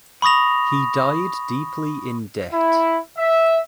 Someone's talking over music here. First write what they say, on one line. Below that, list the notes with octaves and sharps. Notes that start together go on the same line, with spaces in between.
He died deeply in debt.
B5 C#6 D#6 A#6 F7
E4
E5